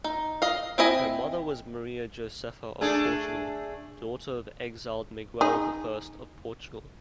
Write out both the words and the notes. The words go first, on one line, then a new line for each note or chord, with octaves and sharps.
Her mother was Maria Josepha of Portugal, daughter of exiled Miguel I of Portugal.
D#4
D#5 F5
C4 E4 D#5 G#5
A3 D4 G#4
D#4 G#4